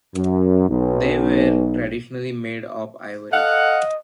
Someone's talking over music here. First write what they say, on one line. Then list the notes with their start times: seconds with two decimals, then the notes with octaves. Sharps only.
They were traditionally made of ivory.
0.16 F#2
0.70 B1
3.32 A4 D#5 F5 F#5